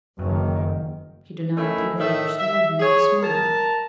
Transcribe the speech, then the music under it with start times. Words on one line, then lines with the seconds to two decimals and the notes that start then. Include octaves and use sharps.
She did not appear to understand him, but smiled.
0.19 F#1 F#2 D#3
1.56 D#3 A3 C#4 E4
1.98 A2 D#3 A3 E5
2.39 E5
2.79 G#4 C#5
3.22 A#4 A5